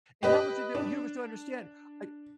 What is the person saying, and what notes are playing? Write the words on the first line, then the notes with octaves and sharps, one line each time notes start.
and how much of the universe do you understand, like
G4 B4 D#5
D4